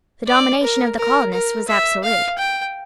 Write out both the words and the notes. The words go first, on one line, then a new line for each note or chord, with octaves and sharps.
The domination of the colonists was absolute.
D5
A#4
A#4
A#4
E5
F5
G5